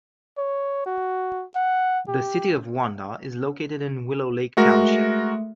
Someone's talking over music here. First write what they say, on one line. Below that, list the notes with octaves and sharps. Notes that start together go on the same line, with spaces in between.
The city of Wanda is located in Willow Lake Township.
C#5
F#4
F#5
G4
G#3 A3 F#4 A#4